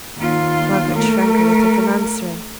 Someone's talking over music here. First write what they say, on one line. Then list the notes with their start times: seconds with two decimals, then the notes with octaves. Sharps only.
Margaret shrank a little from answering.
0.18 D#2 F4
0.96 A3 A#4